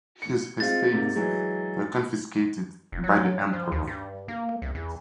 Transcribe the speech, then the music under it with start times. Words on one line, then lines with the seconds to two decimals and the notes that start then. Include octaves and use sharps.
His estates were confiscated by the Emperor.
0.22 C#7
0.60 G#3 C4 F4 A6
0.92 G#2 C3 A#3
1.15 E3 F#3 G#3
2.92 F1
3.04 F#3
3.53 F3
3.72 D#2
3.87 G2
4.28 A#3
4.62 C2
4.75 E2